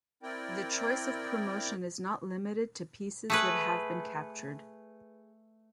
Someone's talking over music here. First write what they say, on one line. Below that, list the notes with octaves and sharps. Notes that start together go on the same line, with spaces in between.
The choice of promotion is not limited to pieces that have been captured.
C4 E4 A#4 D5 G5
A3 G#4 B4